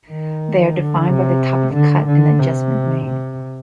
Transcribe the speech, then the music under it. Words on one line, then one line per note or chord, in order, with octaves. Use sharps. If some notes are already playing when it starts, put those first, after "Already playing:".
They are defined by the type of cut and adjustment made.
D#3
D3
C3
D3
D3
C3
C3